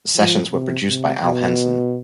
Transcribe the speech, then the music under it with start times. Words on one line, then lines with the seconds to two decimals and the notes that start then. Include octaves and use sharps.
The sessions were produced by Al Henson.
0.16 F3
0.52 C3
0.88 C3
1.24 B2